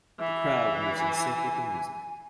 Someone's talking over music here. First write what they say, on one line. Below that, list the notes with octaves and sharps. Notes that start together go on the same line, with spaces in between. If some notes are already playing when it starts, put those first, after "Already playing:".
The crowd moves in sync with the music.
E3 E5
G#5